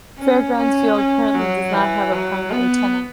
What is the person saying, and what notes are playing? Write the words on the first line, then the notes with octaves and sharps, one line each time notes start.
Fair Grounds Field currently does not have a primary tenant.
C#4
C#4
C#4
F#3
E3
F#3
B3